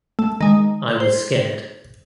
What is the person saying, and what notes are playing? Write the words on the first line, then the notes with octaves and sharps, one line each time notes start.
I was scared.
A3
D#3 G#3
C5